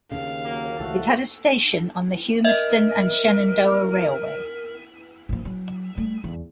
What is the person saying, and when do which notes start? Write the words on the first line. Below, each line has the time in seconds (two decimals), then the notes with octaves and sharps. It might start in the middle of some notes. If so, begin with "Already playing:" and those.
It had a station on the Humeston and Shenandoah Railway.
0.12 D#2 C#3 F5
0.44 F#3 A#3
0.80 C#2 E3 A3 F#4 A4
2.44 A#4 D#5 E5
5.29 A#1 F3
5.45 F#3
5.97 G3 A3
6.24 E2